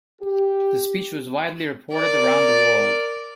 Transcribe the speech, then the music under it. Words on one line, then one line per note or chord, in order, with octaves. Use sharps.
The speech was widely reported around the world.
G4
A#4 D5